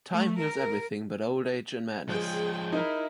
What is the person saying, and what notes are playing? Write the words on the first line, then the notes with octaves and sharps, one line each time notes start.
Time heals everything but old age and madness.
A3
A#4
F3 G#3 G#4 G5
D#4 E4 A#4